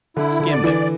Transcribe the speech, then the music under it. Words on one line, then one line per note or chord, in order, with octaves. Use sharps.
Skimmed it.'
D3 E4
D3
D5
E3